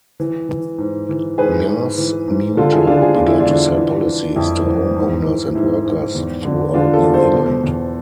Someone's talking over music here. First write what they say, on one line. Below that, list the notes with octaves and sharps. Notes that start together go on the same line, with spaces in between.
MassMutual began to sell policies to homeowners and workers throughout New England.
E3
E3
G#2
E3
G#2 G#4 B4
G#2
E3
G#2
D3 F4 A4
E4 G#4
D3 D4 F4
G#4
E2 F4
E4
D4 F4
D3
E3
E3
F2 E4
E3
G#2
E3
G#2 E4
G#2
E2
D3
D3 D4 F4
F4 A4
E2
A4 C5
B2
E2